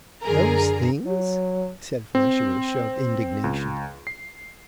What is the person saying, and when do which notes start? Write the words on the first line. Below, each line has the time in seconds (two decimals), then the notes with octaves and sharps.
"Those things!" said Felicia with a show of indignation.
0.22 F#2 D3 G#4 A#4 A#5
1.03 F#3
2.15 C4
3.44 C#2
4.07 C7